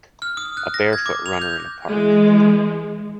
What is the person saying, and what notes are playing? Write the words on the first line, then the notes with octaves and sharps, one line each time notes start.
A bare foot runner in a park.
F6
D#6
F#6
A#6
G#6
D6
F7
G6
E3 G#3